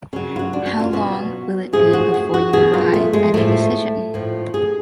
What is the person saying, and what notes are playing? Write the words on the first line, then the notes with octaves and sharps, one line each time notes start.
How long will it be before you arrive at a decision?
C#3 F#3 C#4
F4
F#4
D4
C#4
F4
B2 F#3 F#4
A2 F3 G#4
F#4
G#4
F#4
B2 F#3 G#4
F4
A3
G#3
A2 F3 A3
A2 F3
G#4